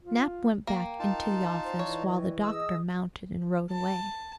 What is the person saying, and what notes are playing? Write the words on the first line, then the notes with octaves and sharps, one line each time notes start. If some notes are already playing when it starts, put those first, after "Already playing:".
Nap went back into the office while the doctor mounted and rode away.
F4
A#3 G5
D#4 F4 A5
C5 D5 D#5 G5
E3 C#5
G#4 D#5 D#6 E6
A5